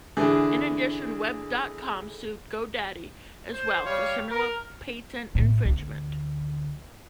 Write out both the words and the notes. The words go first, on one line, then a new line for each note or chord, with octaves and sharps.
In addition, Web dot com sued Go Daddy as well for similar patent infringement.
D3 E3 G#4
C5
G3 C#5 F5
A#4
A2
D2